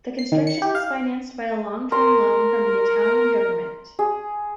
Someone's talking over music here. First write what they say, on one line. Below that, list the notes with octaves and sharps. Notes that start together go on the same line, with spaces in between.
The construction was financed by a long term loan from the Italian government.
C7
D#3
C#7
G4
F5
A#4 C6
G#4